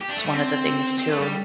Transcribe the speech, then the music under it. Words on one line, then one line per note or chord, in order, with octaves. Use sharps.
is one of the things too.
G4
D4
A3
G3
C4
C4
A3
G3